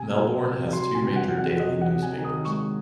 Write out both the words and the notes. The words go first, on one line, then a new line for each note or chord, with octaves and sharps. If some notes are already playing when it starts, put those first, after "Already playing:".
Melbourne has two major daily newspapers.
Already playing: C3 G#5
F#3
C3
F#3 C6
G#5
C3
F#5
F#3
F#5
C3 D#5
F#5
C3
G#5
D#3
D#6
G#3 C#6